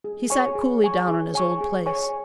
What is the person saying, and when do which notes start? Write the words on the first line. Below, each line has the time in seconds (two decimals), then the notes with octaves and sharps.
He sat coolly down in his old place.
0.04 G#4
0.30 C#5 G#5 C#6
0.55 G#4
0.82 C#5 G#5 C#6
1.08 G#4
1.34 C#5 G#5 C#6
1.61 G#4
1.86 C#5 G#5 C#6